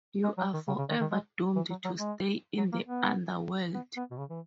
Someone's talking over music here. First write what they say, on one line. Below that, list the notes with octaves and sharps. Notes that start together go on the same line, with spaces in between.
You are forever doomed to stay in the underworld.
G#3
F#3
D#3
C#3
C#3
D#3
D#3
G#3
E3
F#3
F#3
G#3
F#3
A#3
B3
B3
B3
B2
C#3
E3